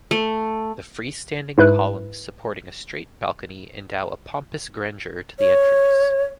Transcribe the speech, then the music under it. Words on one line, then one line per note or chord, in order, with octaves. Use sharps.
The free-standing columns supporting a straight balcony endow a pompous grandeur to the entrance.
A3
G#2 E4 B4 F#6
C#5